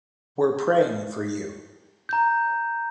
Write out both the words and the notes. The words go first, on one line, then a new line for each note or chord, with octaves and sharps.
We're praying for you.
A#5 G6